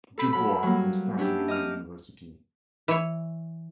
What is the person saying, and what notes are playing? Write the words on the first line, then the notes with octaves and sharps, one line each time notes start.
Du Bois on starting a new university.
A4 B5
F#2 B5
F#3 G3 A#3
C#4 D4 E4 G4
D#5 D6 F6
E3 C#5